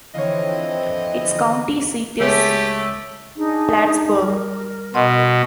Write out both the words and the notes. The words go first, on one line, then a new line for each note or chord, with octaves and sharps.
Its county seat is Plattsburg.
D3 E3 F3 C4 E4 C#5 D#5 F5
C#2 G#3 A3 G4 G#4 C#5
D4 D#4 G#4
G3 A#4
B2 D#5 F#5 C6